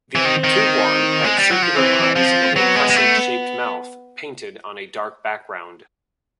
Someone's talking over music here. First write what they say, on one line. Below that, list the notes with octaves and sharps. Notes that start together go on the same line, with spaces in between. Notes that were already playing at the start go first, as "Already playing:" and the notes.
The "tubuan" had circular eyes and a crescent-shaped mouth painted on a dark background.
E3 C4
D#3
D#3
G#3
G3
F#3
F3
E3 C4
F3 C4
F#3 B3
G#3
G#3
A3